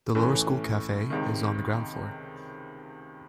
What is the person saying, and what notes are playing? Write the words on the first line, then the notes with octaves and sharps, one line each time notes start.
The lower school cafe is on the ground floor.
A2 E3 A3 C#4
C#2 C3 D#3